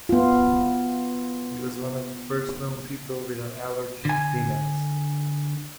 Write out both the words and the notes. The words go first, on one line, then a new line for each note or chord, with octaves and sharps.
He was one of the first known people with an allergy to peanuts.
B3 F4
D3 G#5